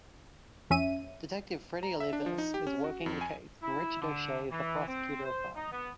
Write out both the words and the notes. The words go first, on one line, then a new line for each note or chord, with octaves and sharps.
Detective Freddy Olivas is working the case and Richard O'Shea is the prosecutor assigned.
F2 C#4 E5 D#7
A#5
E5
D4
F3
D#4
G4
C#4
F#4
F2
G#5
E4
D3
E3
C4
C5
D#4
B3